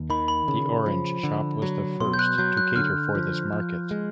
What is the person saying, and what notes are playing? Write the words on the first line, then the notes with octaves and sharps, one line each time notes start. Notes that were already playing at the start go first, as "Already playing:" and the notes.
The Orange shop was the first to cater for this market.
Already playing: D#2
D#3 B5
B5
C#3
F3
D3
F#3
B2 C6
G6
F#6
F#3 G6
F#6
D3 F6
F3
F3
G#3